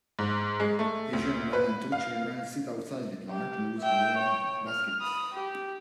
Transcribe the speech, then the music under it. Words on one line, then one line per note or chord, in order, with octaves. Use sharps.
Asian man and two children sit outside with large loose woven basket.
G#2
G#3
A3
D2
B4
F5
G4
E5 G5
C#5 G5
F6
B5 D#6
G4